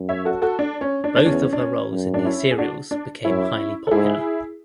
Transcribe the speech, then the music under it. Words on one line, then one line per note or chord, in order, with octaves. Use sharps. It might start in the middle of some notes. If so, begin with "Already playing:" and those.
Both of her roles in these serials became highly popular.
Already playing: F#2
C#5 E5
F#4 A4
F#4 A4
D4
C#4
D4
D4
E2 C#4
D4
C#4
F#2
D4
C#4 E4
G#4
D4 F#4
D4
F#2 C#4 E4
A4
G#2 E4 G#4